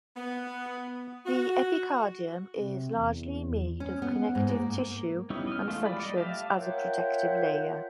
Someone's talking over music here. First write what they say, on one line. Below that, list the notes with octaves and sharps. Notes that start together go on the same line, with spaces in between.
The epicardium is largely made of connective tissue and functions as a protective layer.
B3
F#4
C3
E2
C#4
B3
G#2
A#3
G3 B3 C#4 D#4 E4
D#5 F6
E3 G#3 A3 F4
G3 D5 B5
D5 D#5
G4 E5 F5 A5
F4 A#4 C#5 E5 F#5 G5